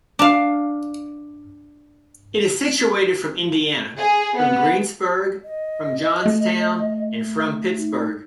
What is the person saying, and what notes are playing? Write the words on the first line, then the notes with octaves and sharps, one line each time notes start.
It is situated from Indiana, from Greensburg, from Johnstown, and from Pittsburgh.
D4 F5
G#4
B3
D#5
A3
D#4